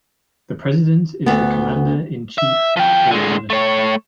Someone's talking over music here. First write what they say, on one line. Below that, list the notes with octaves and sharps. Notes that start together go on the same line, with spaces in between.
The president is the commander in chief for the military.
D2 B3
E5
F3 G5
D3 G#3
A3 C#5